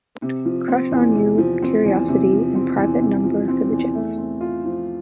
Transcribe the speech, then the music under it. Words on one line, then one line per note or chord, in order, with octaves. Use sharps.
Knight also co-wrote "Crush On You," "Curiosity," and "Private Number" for The Jets.
C3
F3
C4
E2
C3
F3
C4
E2
C3
F3
C4
E2
C3
F3
C4
E2
A3
C4
F4
F3